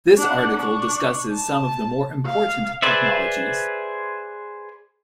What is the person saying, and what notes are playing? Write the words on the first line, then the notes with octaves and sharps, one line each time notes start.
This article discusses some of the more important technologies.
D4 F#5
D4 C#6
A5
F5
G#4 B4 C5 D5 E5